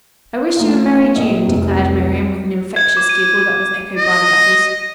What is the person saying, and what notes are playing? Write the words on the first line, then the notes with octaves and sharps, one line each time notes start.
"I wish you a merry June," declared Miriam with an infectious giggle that was echoed by the others.
A3 D#4 F4
A#1 D#5
F1 C2
G#6
D6
D#7
D#5